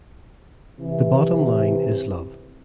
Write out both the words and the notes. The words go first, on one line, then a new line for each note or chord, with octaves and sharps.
The bottom line is love.
C3 E3